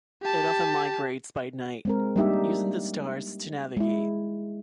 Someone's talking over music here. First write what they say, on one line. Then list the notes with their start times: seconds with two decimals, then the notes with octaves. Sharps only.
It often migrates by night, using the stars to navigate.
0.23 G4 A5
1.85 G#3 C4 A#4
2.16 G3 A#3 D4 D#4 G4 E5
3.77 G#3 E4